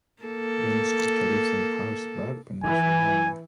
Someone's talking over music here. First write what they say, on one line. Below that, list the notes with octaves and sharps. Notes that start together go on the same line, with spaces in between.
Benscoter lives in Harrisburg, Pennsylvania.
A#3 A4
E3 G#5